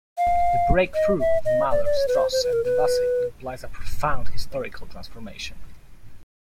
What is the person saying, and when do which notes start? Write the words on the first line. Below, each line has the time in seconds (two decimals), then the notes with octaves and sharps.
The "breakthrough" of Mahler, Strauss, and Debussy implies a profound historical transformation ...
0.18 F5
0.95 D#5
1.20 E5
1.45 D#5
1.71 D5
1.85 D5
1.97 C#5
2.08 B4
2.15 C5
2.32 C5
2.43 B4
2.53 A#4
2.64 B4